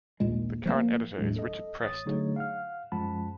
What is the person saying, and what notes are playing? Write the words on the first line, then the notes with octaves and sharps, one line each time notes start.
The current editor is Richard Prest.
A#1 D#2 A#2 G#3
F3 G3 A#3
D#2 A2 F#3 G#3 D4 E4
A4 D#5
A1 C#5 D#6 A6
D3 F#3 A3 D#4 G#4 C#5
F5 F#5 F6
F#2 F3 G#3 F#5 A5 B5